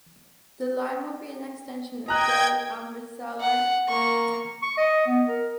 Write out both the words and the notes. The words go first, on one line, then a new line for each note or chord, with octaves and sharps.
The line will be an extension of Delhi–Amritsar line.
D#5 G5 A#5 F#6 G#6
F#5
A#3 C#6
C#6
D#5
B3
A#4